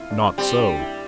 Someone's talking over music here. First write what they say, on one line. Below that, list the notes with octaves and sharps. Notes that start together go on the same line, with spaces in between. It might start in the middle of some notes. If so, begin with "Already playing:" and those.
Not so.
Already playing: E4 F4
D4
G3 C4
D4
E4